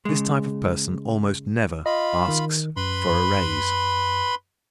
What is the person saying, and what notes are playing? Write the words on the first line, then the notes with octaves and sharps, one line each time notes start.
This type of person almost never asks for a raise.
C#3 G#3
F4 D#5 B5
D#3
F#2 B4 B5 C6